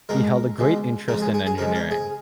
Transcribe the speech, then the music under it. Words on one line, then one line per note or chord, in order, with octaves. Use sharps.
He held a great interest in engineering.
C#2 B2 G#3 A#4
C#2 B2 G#3
F2 C#3 G#3 A#4
G#4
G#4
G#4
F2 C#3 G#3 A#4
A#4
G#4